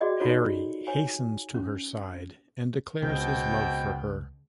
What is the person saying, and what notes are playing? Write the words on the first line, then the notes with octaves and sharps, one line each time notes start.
Harry hastens to her side and declares his love for her.
F#4 G#4 D5 D#5 G5
D#4 F4 F#4 A4 C#5
C#5 G#5
C#4
C#2 B2 C4 G5